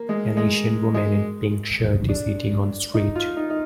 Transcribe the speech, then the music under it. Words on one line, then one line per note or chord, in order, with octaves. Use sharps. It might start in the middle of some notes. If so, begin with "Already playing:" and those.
An asian woman in pink shirt is eating on the street.
Already playing: A#3
G#3
G#3
G#3
D4
D#4
F4
D#4
D#4